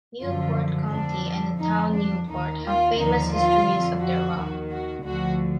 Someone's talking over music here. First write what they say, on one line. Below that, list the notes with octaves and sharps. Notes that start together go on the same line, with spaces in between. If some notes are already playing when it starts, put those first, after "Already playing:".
Newport County and the town Newport have famous histories of their wealth.
F#2 D3 F3 F4
F2 D3 F3 D4
F2 F3 D#4
D4
D#2 D#3 D#4
F4
D#2 D3 F3 D#4
F4
F2 D3 F3
F#4
D#2 D#3
F#4
D2 D3 F3 F#4